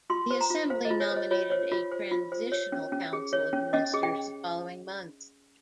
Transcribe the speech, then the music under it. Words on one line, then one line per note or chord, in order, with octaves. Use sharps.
The Assembly nominated a transitional Council of Ministers the following month.
F4 C6
C5
A#5
F4
C5 F5
D#5
F4
C#5
C5
D#5
F4 C#5
C5 C#5
F4
C5
F4
C5
C#5
C#4
C#4
G#4
C#5
C#4
C#4 D#5
G#4
G5